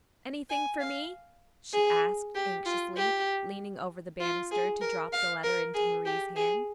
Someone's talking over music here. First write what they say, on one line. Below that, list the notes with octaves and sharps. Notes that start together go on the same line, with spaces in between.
"Anything for me?" she asked, anxiously, leaning over the banister to drop the letter into Marie's hand.
G#5
F5
G#4
G4
F4
G4
F4
G#4
A#4
F5
A#4
G#4
G4
G#4